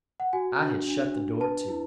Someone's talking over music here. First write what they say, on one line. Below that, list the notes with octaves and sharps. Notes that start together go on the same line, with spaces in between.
I had shut the door to.
F#5
F#4 G#5
D4
D4
D4
B4 A5
E4